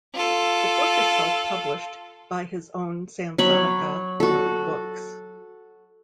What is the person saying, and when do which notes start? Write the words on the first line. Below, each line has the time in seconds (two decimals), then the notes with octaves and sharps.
The book is self-published by his own Sansonica Books.
0.15 F4 A4
3.38 F#3 C#5 B5
4.20 F#4 A4